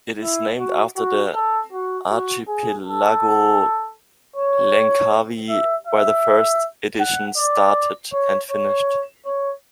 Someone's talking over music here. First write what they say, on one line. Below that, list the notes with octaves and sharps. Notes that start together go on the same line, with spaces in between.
It is named after the archipelago Langkawi, where the first edition started and finished.
E4
F#4
F#4
A4
F#4
F#4
G#4
A4
C#5
E5
E5
F#5
D5
C#5
C#5
C#5